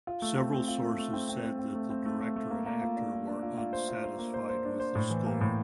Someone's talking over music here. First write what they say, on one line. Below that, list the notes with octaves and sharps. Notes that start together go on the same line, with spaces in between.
Several sources said that the director and actor were unsatisfied with the score.
F4
A3
C4
C4
F4
A3
A3
C4
C4
C4
C4
A3
C4
A3
A3
A3
A#3
A#3
F4
D4
F4
D4
F4
F4
C5
F4
C5
A#3
C5
C5
D4
C5
A2
E3
A#3
A2